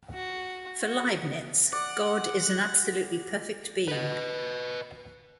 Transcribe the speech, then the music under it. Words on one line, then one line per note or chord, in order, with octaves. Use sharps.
For Leibniz, God is an absolutely perfect being.
F#4
F#4
D5 F#5
B4 D#5